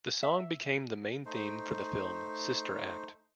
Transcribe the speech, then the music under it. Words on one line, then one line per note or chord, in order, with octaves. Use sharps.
The song became the main theme for the film, "Sister Act".
E5
A3 D#4 C5